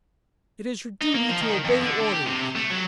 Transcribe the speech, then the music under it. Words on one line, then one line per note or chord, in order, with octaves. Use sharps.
"It is your duty to obey orders."
D#4
A#3
F3
D#3
F2
D3
D3
G4
C3
A3
F#3